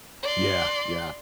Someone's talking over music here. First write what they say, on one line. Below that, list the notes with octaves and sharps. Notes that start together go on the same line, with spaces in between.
Yeah, yeah.
D5 C6